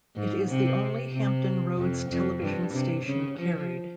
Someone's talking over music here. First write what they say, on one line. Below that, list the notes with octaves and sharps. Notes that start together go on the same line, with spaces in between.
It is the only Hampton Roads television station carried.
G#2
C3
C3
F2
F2
G2
C3
C#3
F3